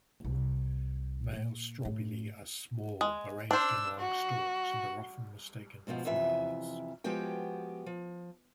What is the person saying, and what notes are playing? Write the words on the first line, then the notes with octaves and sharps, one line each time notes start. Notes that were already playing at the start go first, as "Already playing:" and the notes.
Male strobili are small, arranged in long stalks, and are often mistaken for flowers.
C2
A#2
A2
G#3
D4 C5 E6
F#4
G#2 B2 D3 F3
F2 C3 E3 E5
F3 G#3 B3 F#4 G4 G5
F3